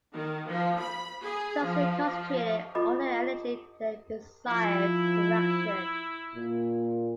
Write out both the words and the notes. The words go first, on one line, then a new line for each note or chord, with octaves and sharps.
Thus they concentrated all their energy in the desired direction.
D#3
F3
B5
G#4
F3
F3
F4 A4 D#5 B5 D6
F3 E4
A#2